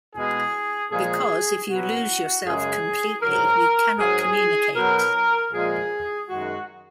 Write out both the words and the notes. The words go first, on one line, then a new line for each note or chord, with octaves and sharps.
Because if you lose yourself completely, you cannot communicate.
B2 G#3 G#4
A#2 F3 G#3 G#4
B2 F#3 F#4
F#2 C#3 G#3 G#4
G#2 F#3 A#4
G#2 F#3 G#4
B2 F#3 A#4
A#2 F3 G#3 G#4
F#2 D#3 G#3 F#4